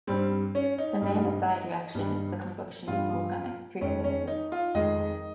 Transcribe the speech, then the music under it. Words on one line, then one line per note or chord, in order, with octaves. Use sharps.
The main side reaction is the combustion of organic precursors.
G2 G3 C4
C#4
D#4
G2 G3
G2 G3
G2 G3 F4
F2 D#3 G#3 C#4
C#4
D#4
F4
F2 D#3 G#3 D#5